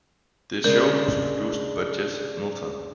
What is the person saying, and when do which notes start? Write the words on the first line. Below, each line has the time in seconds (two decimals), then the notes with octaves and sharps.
The show was produced by Jess Milton.
0.64 C#3 G#3 D4 A#4